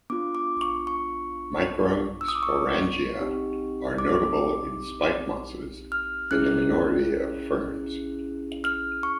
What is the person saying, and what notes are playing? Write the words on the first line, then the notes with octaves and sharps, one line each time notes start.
Microsporangia are notable in spikemosses, and a minority of ferns.
B3 D4 F4 D6
D6
C#6
C#6
E6
D#6
D6
C#6
C4 D#4 G4
D6
F6
C#4 E4 G#4 F#6
F6
C#6